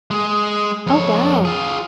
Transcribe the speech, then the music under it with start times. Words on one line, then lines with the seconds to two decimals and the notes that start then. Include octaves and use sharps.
Oh, wow.
0.11 G#3 G#4
0.87 F2 C#5
1.45 F4 G#4